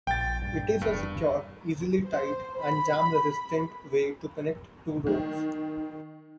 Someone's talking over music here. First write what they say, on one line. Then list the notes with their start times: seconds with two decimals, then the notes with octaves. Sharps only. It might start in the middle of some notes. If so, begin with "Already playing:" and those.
It is a secure, easily tied, and jam-resistant way to connect two ropes.
0.07 A#1 G5 A6
0.42 G2
0.82 F1 E2 G2
2.05 C5
2.58 B5
5.07 D#3